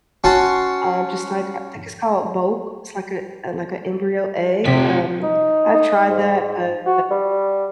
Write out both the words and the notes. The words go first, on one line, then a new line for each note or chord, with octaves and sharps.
um, just like, I think it's called boke, it's like a, like a embryo egg, um, I've tried that, but
C#4 F#4 A5 C6 C#6
C3 F3 G4 B6
D#4
D#4
G#2
F#4
G3